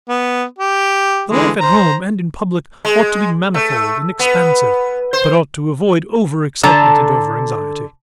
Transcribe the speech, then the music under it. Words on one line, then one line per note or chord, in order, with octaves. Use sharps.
The life at home and in public ought to be manifold and expansive but ought to avoid over-excitement and over-anxiety.
B3
G4
D3 E3 G#3
C5 A#5
G#3
A3
B3
C5
D3 A4 A#5